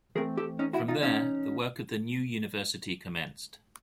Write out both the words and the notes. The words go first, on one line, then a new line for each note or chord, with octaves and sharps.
From there, the work of the new university commenced.
E3 A3 C4 G#4 A#4
G4 A4
C#4 D#4
E4 F#4
D#4 F4
C#4 D#4